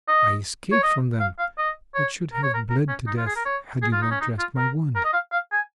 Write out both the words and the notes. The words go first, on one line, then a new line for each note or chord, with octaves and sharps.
I escaped from them, but should have bled to death had you not dressed my wound.
D#5
C#5
D#5
F5
F5
D#5
C#5
A#4
C#5
A#4
A#4
C#4
D#4
F4
G#4
A#4
C#5
G#4
F4
D#4
C#4
D#4
F4
A#4
A#4
D#5
F5
F5
G#5